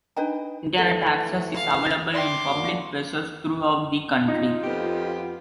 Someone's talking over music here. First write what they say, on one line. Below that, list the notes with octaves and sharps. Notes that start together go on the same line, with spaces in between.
Internet access is available in public places throughout the country.
D4 D#4 B4 D#5 G5 A#5
E3 A3 A4
F5
D5 E5 G5 C6 D6
A#3 D4 F#4
D#4 F4
F2 B3 G4